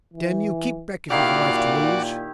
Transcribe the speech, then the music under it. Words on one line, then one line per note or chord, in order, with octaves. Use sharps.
Damn you, keep back, if you've a life to lose!'
E3
A#2 D#3 E4 F#4 G4 D5 F5